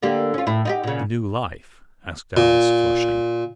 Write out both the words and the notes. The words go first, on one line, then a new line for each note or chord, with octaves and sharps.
"The new life?" asked Alice, flushing.
D3 A#3 G4
C#4 F4
A2 E4
D#4 F4 G4
A#2 C#3
A#2